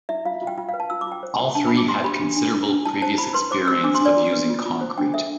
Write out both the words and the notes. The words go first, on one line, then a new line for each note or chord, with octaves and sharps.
All three had considerable previous experience of using concrete.
E4 E5
F4 F5
F4
G5
F4 G5
F5
B4
A5
F4 E6
D6
F4
G5
C5
F4 G5
D4 A5
B5
D4
D6
G4 C6
G4 B5
D4
D4
D4
D4
E4 A5
C5 A5
E4 B5
B4 C6
C5 D6
C5 E6
D4 D6
C6
D4 D5
F4
B4
F4
F4
C5
D4 G5
A4 E5